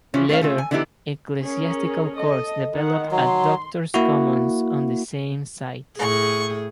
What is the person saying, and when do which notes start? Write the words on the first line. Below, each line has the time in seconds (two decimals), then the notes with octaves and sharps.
Later, ecclesiastical courts developed at Doctors' Commons on the same site.
0.14 E3 F3 C#4
0.29 A3 C#4 B4 C#5 F5
0.41 C#3 A3 F4
0.58 G#5
0.71 D3 E3 B3 D#4 E4 G4
1.42 C#4 G#4 A#4
2.16 A4 D#5
2.76 D#3 F#5
3.11 F#3 C6
3.94 A#3 E4 F#4
5.99 A2 G#4 C#6